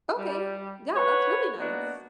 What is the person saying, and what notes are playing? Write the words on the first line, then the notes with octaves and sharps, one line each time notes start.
Okay. Yeah, that's really nice.
G3
B4 C#5 F#5
A#3 B3 D4 D#4 F#4 F#5